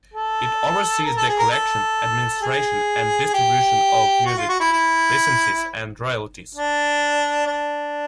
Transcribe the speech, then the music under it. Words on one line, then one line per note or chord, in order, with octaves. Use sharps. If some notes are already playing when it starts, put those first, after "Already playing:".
It oversees the collection, administration and distribution of music licenses and royalties.
A4
A#4
A4
G#4
A#4
A4
G#4
G4
F#4
F4
F#4
E4
E4
D4
D4